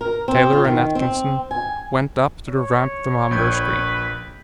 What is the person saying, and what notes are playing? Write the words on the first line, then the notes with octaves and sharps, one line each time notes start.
Taylor and Atkinson went up to the Ramp thermometer screen.
A#4
C4
F4
D#3
C4
G#5
C#5
A#1 B4 G6 G#6